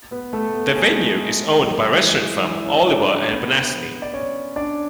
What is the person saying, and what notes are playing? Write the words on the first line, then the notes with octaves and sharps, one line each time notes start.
The venue is owned by restaurant firm Oliver and Bonacini.
B3 B4
A3 A4
B3 B4
G#4
A4
G#3 G#4
F#3 F#4
G#3 G#4
E3 E4
E3 E4
C#4
C#4
D4
B3 B4
D5
C#4 C#5
D4 D5